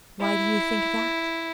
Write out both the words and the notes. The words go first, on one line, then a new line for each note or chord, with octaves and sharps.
"Why do you think that?"
E4